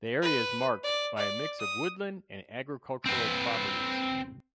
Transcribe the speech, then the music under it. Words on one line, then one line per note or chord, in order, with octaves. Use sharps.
The area is marked by a mix of woodland and agricultural properties.
B4
D5
D5
D#6
C4 B4